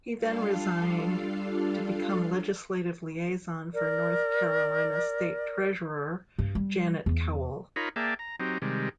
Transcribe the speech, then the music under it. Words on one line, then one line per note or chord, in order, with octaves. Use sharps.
He then resigned to become legislative liaison for North Carolina State Treasurer Janet Cowell.
G3 D4 F4 A4 F5
A#4 D5
G2
G3
E2
D#4 F4 A#4 C#5 B5
A#3 G#4 D5 E5 G5 A5
A#5
F#3 C4 D#4 G4
C3 D#3 G3 G#3